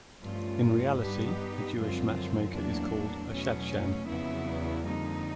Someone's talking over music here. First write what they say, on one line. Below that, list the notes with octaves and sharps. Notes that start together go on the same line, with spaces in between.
In reality a Jewish matchmaker is called a "shadchan".
G2 F3 A3 C#4 F4
G3 B3 D#4 G4 B4
F#2 D3 F3 G#3 C4 F4
E2 A2 F#3 A#3 D4
E2
B2 F#3 A3 C#4
F2 C#3 F#3 B3 E4
E2
F2 D3 G3 A#3 D#4